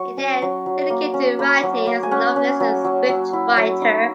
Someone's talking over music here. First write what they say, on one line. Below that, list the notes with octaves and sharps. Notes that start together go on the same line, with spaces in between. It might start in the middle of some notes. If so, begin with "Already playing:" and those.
He then dedicated to writing as novelist and scriptwriter.
Already playing: F#3 C#6
C#4
F#3
F#3
A#3
C#4
A#3 B5
F#3
A#3
G#5
C#4 F#5
C#4
F#3
F#3
F#3
E4
F#3 E5
D#4